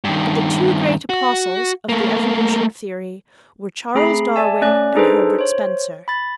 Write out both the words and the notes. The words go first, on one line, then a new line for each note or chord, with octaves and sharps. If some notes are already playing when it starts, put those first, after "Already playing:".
But the two great apostles of the evolution theory were Charles Darwin and Herbert Spencer.
G2 D#3
F#4
A3 A#3
A3 C4 G#4 A#5 B5 C7
D5 E5 G#5 A5
A3 C#4 D5 F#6
D4 D#4 G#4 A4 B4 C5
C5 C#5
B5 A6